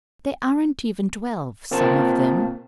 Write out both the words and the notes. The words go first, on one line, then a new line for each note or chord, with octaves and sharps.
They aren't even twelve, some of them.
A#3 C4 F4 A#4 A5